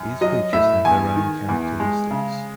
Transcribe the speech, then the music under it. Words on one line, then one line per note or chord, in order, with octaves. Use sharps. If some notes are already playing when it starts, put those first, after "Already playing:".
These creatures have their own characteristics.
Already playing: F#2
F#3 D#5
A2 E5
E2 G#5
D#3
E2
G#3
C#3